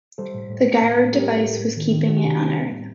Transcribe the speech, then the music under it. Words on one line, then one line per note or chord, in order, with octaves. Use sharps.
The Gyro device was keeping it on Earth.
G3 A4 C5
A2
A2
A3
A2
A2
G3 G4 A#4
A2
A2
A3
D#3
D#3
D#3 F#4
G4
C3 D4 F#4
C4
G3
A2